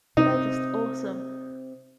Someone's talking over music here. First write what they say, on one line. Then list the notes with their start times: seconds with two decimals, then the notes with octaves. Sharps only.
They're just awesome.
0.17 C3 D#4